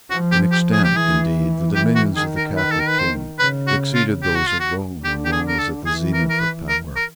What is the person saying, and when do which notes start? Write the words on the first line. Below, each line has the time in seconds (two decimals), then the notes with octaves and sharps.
In extent, indeed, the dominions of the Catholic King exceeded those of Rome when Rome was at the zenith of power.
0.10 F3 F#4
0.31 G4
0.52 G4
0.72 G#4
0.84 G4
0.93 E3 G#4
1.74 E3 G4
1.95 F#4
2.16 D#3 G#4
2.37 A#4
2.57 B4
2.71 A4
2.80 A#4
2.88 B4
2.99 C5
3.39 C#3 B4
3.67 F#4
3.94 F4
4.22 G4
4.35 F#4
4.47 F4
4.60 F#4
5.04 D3 G4
5.25 G4
5.32 G#4
5.48 A#4
5.59 A4
5.86 E3 G#4
6.14 A#4
6.30 A#4
6.41 B4
6.68 A#4
6.96 A#4